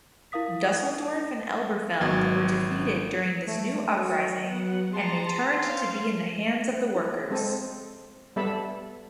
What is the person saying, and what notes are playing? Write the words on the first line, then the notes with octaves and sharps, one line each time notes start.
Dusseldorf and Elberfeld were defeated during this new uprising and they turned to be in the hands of the workers.
E4 A#4 F5 D#6 B6
G#1 F#3 B3 G#6
A3
F#3 C#5
B3 F#5
G#4 A5 A#5 C6
C#4 C5 F5
E4
G#3 C4 A4
G3 B3 A4 E5 A5 B5